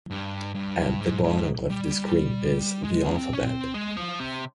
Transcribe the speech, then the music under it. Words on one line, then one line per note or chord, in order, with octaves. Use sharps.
At the bottom of the screen is the alphabet.
G2
G2
G#2
G#2
G3
G#3
C#4
C4
C#4
C4
G#3
F3
C3